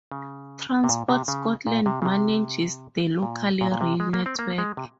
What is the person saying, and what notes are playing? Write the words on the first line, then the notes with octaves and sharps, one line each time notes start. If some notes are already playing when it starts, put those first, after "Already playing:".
Transport Scotland manages the local rail network.
C#3
C3
A#2
C3
C#3
A#2
C3
C#3
C3
A#2
A#2
A#2
C3
G#3
A#3
C4
A#3
G#3
C3